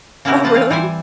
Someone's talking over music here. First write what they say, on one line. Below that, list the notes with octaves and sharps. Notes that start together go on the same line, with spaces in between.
Oh, really?
C#3 A#3 C#4 E4 F#4 G4
F3 F4 B4 C5 A5
E3 C4 F5
E3 G3 C5 G#5